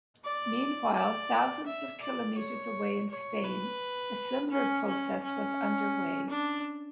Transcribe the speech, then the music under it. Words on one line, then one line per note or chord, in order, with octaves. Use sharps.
Meanwhile, thousands of kilometres away in Spain, a similar process was underway.
D5
D5
E5
D5
C#5
C#5
B4
C#4
C#4
C#4
D4